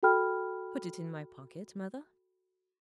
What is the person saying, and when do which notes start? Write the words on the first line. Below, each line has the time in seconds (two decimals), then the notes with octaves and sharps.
'Put it in my pocket, Mother.'
0.03 F#4 A4 G5 B5 F6